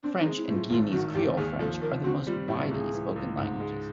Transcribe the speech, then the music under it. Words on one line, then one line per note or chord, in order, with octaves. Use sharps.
French and Guianese Creole French are the most widely spoken languages.
C4 D4
D#4
G#3
E4
A2
F4
G#1 F4
D#3 F#4
G#1 G4
D#2 G#4
F3 A4
D#2 A#4
C4 F#4
G3 F4
A2 G4
C#2 G#4
E3
C#2
G#2
G#3